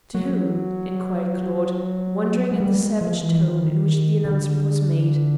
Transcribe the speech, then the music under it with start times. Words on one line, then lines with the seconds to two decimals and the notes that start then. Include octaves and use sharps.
"To whom?" inquired Claude, wondering at the savage tone in which the announcement was made.
0.15 F#3
2.52 G#3
2.60 G3
2.81 G#3
3.01 F3
3.22 E3
3.43 D#3
3.54 E3
3.63 D#3
4.25 D3